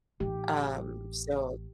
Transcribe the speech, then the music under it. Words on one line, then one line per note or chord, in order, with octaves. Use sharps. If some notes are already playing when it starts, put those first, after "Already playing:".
Um, so,
A1 D#4 G4